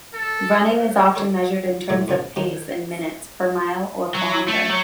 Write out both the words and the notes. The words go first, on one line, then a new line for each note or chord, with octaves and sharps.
Running is often measured in terms of pace in minutes per mile or kilometer.
A4
G4 A4 C#5
E2 G#2 C3 F3 A3
F#2 C#3 B3
D#3 F3 D#4
F#3
A3
F#3